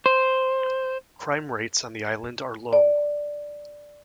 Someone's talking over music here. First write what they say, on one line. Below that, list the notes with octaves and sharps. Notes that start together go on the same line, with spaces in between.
Crime rates on the island are low.
C5
D5